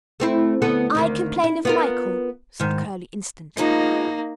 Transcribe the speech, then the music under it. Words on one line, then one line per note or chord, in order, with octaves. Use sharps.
'I complain of Michael,' said Curly instantly.
A3 C4 E4
D2 B3 A4
D2 D#3 A#3
E4
B3 F4 A#4
G#2 D#3
F3 G#3 A#3 B3 D#4